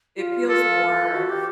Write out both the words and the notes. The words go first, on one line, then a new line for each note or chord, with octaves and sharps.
It feels more
F4
F4 A4
F#4
G4